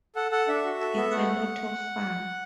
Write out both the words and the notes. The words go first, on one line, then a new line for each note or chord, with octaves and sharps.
It's a lot of fun.
A4 F#5
A4 F#5
D4 E5
F#4
A4
B3
A3 F#5